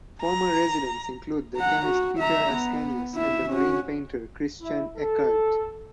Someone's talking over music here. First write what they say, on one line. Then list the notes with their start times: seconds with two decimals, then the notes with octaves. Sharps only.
Former residents include the chemist Peter Ascanius and the marine painter Christian Eckardt.
0.22 A#5
1.56 F#5 A#5
1.86 F#4
2.19 E5 A#5
2.53 B3
3.15 E4 E5
3.50 C#4 F#4
4.62 E4
4.98 A4